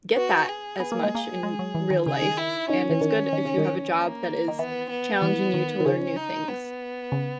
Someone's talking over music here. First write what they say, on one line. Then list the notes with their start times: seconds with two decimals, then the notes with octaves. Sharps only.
get that as much in real life, and it's good if you have a job that is challenging you to learn new things.
0.17 B3 F#4
0.48 G#4
0.80 B3
0.92 A#3
1.03 G#3
1.15 A#3
1.43 G#3
1.59 F#3
1.75 E3
1.90 D#3
2.06 C#3 G#4
2.22 D#3
2.37 E4
2.69 D#3 C#4
2.90 E3
3.01 D#3
3.33 D#3
3.45 C#3
3.58 D#3
3.96 A#3
4.48 D#3
4.59 E3 B3
4.91 B3
5.22 E3
5.54 D#3
5.80 D#3
5.85 C#3 C#4
6.17 D#4
6.48 B3
7.12 C#3